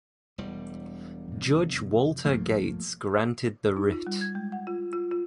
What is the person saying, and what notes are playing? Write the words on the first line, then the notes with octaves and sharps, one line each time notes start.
Judge Walter Gates granted the writ.
E1 E2 G3
F2 C3
B1 G2 F3 A3 A#3
D#4
F4
G3
G#6
G#3
F#5
F4
F4
F4